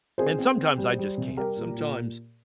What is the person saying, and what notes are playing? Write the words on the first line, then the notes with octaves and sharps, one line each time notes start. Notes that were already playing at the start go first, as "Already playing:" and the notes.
and sometimes I just can't, sometimes,
C4 G#4 C5
C4
C4
G3
G3
C3
G3 G4 A#4
A#2
A#2